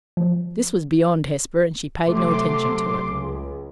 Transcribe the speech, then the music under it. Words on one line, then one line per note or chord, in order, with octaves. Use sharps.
This was beyond Hesper, and she paid no attention to it.
F3
C3 F#3 A3 C6 D6
C#2